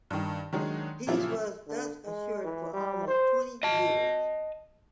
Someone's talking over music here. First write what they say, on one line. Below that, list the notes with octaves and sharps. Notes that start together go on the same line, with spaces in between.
Peace was thus assured for almost twenty years.
G2 D#3
D#3 F#3 G#3 D4 D#4
A#2 C#3 F3 F#3 E4 F4
D3
G#3
E3
G3
C5
D#5 A5